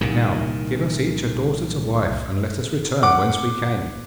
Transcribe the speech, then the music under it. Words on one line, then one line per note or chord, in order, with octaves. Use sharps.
Now give us each a daughter to wife, and let us return whence we came.'
C2 A#2 D#3
F#5 D6